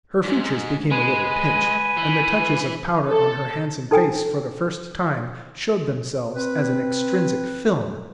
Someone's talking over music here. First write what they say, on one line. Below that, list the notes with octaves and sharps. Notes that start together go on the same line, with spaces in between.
Her features became a little pinched, and the touches of powder on her handsome face for the first time showed themselves as an extrinsic film.
G#2 G#3
G#3 B4 G#5
E3
A4
D#4 A4 G5 G#5
C4 B4